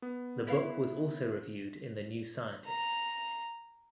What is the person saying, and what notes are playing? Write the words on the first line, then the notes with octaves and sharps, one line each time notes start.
The book was also reviewed in the "New Scientist".
B3
E4 B4 F5
A#5